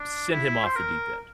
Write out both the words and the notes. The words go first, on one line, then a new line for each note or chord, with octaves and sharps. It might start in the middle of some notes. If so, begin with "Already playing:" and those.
sent him off the deep end.
Already playing: D4
E4
C5
A#4